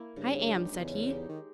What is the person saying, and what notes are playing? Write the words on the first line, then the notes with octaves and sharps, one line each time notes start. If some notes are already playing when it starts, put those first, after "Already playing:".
"I am," said he.
Already playing: A#3 E4
G2 C#3
G#3 D#4 G4
G2
E2 C#3
G#3 D#4 G4
D#3